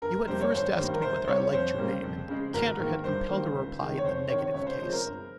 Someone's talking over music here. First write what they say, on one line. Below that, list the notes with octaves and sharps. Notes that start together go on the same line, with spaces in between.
You had first asked me whether I liked your name, and Candour had compelled a reply in the negative case.
G1 A#4
F2 C3 G3 A#3 C5
C#5
G#1 C5
G2 D#3 G3 A#3
A#4
C2 C5
C3 G3 C#5
F2 C5
C#3 G3 A#3
F2
C#3 G#3
G#1 A#4
G#2 D#3 A#3
G2 C5
D#3 G3 A#3
C#2
C3 D#3 G#3
C#5
F2 C5
C3 D#3 C#5
C#2 C#5
C5
C3 F3 G#3 C5
A#4
G1